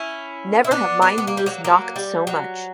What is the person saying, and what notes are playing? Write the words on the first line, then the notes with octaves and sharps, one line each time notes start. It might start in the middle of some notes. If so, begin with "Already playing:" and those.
Never have my knees knocked so much.
Already playing: C#4 E4
E4
B3 D4
B3 D4
B3
A#3
G3
F#3 A#3
F#3 A#3
G3
F#3